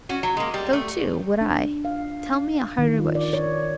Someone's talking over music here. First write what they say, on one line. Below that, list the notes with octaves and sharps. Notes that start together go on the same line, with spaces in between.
So, too, would I. Tell me a harder wish.
C#4 F#4
F#3
G#3 A#3
G3
A3
D4
F5
D#3
F4
D5
C#5